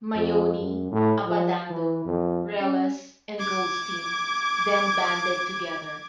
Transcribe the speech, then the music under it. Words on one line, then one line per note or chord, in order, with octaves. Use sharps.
Maione, Abbandando, Reles, and Goldstein then banded together.
F2
F#2
A2
F3
E3
F2
C#4
D6 G#6